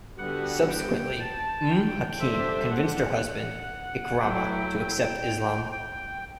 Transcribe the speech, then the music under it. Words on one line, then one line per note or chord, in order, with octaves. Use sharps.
Subsequently, Umm Hakim convinced her husband Ikramah to accept Islam.
D3 G3 B3 F#4 F#5
G5
A5
G5
G3 D4 A4 C5 E5
F#5
F#3 A3 E4 G5
G5